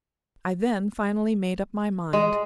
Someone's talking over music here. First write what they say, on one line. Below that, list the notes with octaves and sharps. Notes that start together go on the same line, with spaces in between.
I then finally made up my mind.
G#3